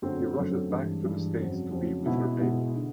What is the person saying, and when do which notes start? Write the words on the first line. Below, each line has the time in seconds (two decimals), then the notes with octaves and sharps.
She rushes back to the states to be with her baby.
0.02 F#2 D3 F#3 A3 C4
0.37 F#2 D3 F#3 A3 C4
0.70 G2 E3 G#3
1.04 G2 E3 G#3
1.39 F2 C#3 F#3
1.72 F2 C#3 F#3
2.06 B2 G#3 B3 E4
2.40 B2 G#3 B3 E4
2.75 D3